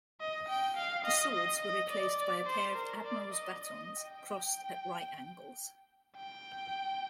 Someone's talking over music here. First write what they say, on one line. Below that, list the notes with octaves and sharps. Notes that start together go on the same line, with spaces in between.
The swords were replaced by a pair of Admiral's batons crossed at right angles.
D#5
G5
F5
D#5
D#5
D#5
D5
D5
C5
A#4
D5
D#5
D#5
G5
G5